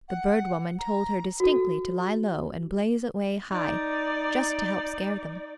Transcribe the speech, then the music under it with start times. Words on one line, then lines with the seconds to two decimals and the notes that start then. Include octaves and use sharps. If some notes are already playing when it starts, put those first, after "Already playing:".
The Bird Woman told her distinctly to lie low and blaze away high, just to help scare them.
0.09 F#5
0.79 A#5
1.40 F#4 A4
3.51 D#4 D5